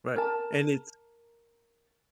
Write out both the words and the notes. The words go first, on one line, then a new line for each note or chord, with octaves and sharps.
Right. And it's
A#4 A5